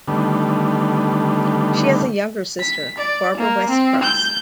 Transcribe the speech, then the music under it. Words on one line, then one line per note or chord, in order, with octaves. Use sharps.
She has a younger sister, Barbara West Cross.
D3 D#3 G3 A3 B3
B6
D5
A#3
C4
G6